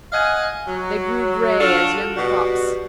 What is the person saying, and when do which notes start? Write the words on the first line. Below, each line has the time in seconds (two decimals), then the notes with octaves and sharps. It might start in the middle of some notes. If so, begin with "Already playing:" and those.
They grew gray as young fops.
0.13 D#5 F5 F#5 G#5
0.67 F#3
1.60 D4 F4 F#4 A4 F5
2.16 B2 G3 F#4